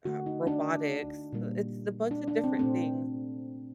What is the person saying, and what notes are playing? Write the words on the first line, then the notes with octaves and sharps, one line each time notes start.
uh, robotics. Th It's a bunch of different things,
D3 A3 F#4
D#4
D4
A#2 G3 A#3
D4
D4
C4
A#2 A3 C4